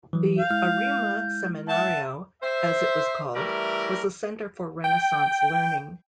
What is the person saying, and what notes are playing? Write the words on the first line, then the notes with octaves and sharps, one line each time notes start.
The "Arima Semenario", as it was called, was a center for Renaissance learning.
E3 F#3
F5 G6
G#3 E4 F6
E5 F#5 A5
C5 E5
E3 G3 A3 E4 A#4
G5